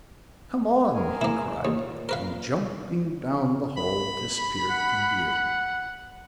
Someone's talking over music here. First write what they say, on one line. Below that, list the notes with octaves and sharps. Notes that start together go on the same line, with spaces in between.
"Come on!" he cried, and jumping down the hole, disappeared from view.
G#4 A#4 G#5
A#3 E4
D#2 A#2
A#4 B4 F5
B5
F#5